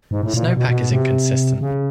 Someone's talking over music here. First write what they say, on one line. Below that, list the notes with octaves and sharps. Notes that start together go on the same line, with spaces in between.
Snowpack is inconsistent.
G#2
A2
A#2
B2
B2
B2
C3
C#3